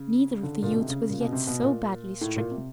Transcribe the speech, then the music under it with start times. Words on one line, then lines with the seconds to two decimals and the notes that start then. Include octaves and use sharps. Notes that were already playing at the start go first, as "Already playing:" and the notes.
Neither of the youths was yet so badly stricken.
Already playing: C#3
0.43 D3
0.63 A#2
0.71 B2
0.80 C3
0.88 C#3
1.09 A#2
1.21 B2
1.32 C3
1.47 B2
1.62 A#2
2.21 A2
2.36 A#2
2.51 C3